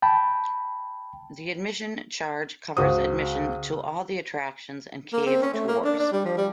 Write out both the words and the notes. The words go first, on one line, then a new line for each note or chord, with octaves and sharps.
The admission charge covers admission to all the attractions and cave tours.
G5 A5 B5
C#2 F#4 C5 D#6
A#3
C4
C#4
A3
A#3
D4
D4
G3
F3
G3